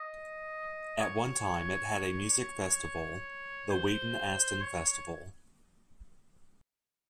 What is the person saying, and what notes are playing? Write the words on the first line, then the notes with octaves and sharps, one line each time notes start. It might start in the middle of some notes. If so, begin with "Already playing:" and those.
At one time it had a music festival, the Wheaton Aston Festival.
Already playing: D#5
C#5
C5
C#5